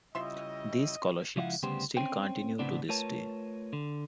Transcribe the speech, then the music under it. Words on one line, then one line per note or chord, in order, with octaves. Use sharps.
These scholarships still continue to this day.
C#3 G3 E4 F4 D#5 E5 C6
C#2 F3 E4 C#5 F5 F#5
D2 C#3 G3 B3 G4 C5
C4 C#4 C5 G5
A2 C#3 F3 B3 C4 D4
A3 F4 A#4 B4 C#5 A5
D3